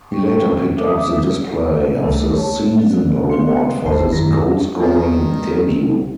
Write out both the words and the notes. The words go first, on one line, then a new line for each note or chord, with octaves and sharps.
He later picked up the display of the season award for this goal-scoring debut.
G5 C#6
E5 D6 D#6
C#2 C#3 G3 A3
C#5 A5
B3 D4
B3 F5 C6 C#7
G1 D#2 G#2 C5 A5 C7
F#2 D#3 E4 A#5 A#6
G2 D#3 C4 F4 C#5